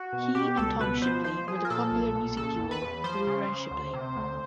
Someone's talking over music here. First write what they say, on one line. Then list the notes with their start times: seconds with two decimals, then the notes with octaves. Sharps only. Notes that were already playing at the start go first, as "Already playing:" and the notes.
He and Tom Shipley were the popular music duo Brewer and Shipley.
Already playing: F#4
0.13 B2
0.35 B2 G4
0.57 C#2 A4
0.80 B2 B4
1.02 F3 C5
1.24 F3 C5
1.47 F3 G#4
1.65 A#4
1.70 A#2 A4
1.91 B1
2.15 A#2
2.37 C#3 A4
2.59 E2
2.71 B4
2.82 E2
3.04 F3 C5
3.27 C#3
3.49 C#3
3.71 D2
3.93 C3
4.16 D2